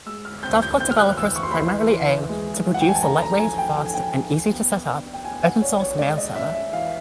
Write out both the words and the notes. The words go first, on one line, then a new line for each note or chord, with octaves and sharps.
Dovecot developers primarily aim to produce a lightweight, fast and easy-to-set-up open-source mailserver.
G#3 E6
F6
C4 G6
G6
C4 G6
F6
F#6
E3 E6
C#6
C6
B5
E3 C6
E3
G#3
E3
F#5
G5
G#5
A5
D3 A#5
A#5
F3 G#5
G5
D3 G5
G#5
G5
D3
B3
D4
G5
B3 G#5
F#5
D4 C#5
C#5
G#3 D5
D#5
C#4 E5
E5
E3 F5